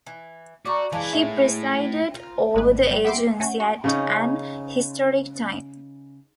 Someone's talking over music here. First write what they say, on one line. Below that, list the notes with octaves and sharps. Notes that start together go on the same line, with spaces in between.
He presided over the agency at an historic time.
E3
A3 F#4 D5 A#5 C#6 D6
E3 G#3 B4 F5 A5 D6
A2 C#5 E5
F4 A#4
G#1 G#3 A3 B4
G#1
G3
B3 G4 E5 C6 D6
A3 C#4 F#4
F#4
C#3 C#4 D#4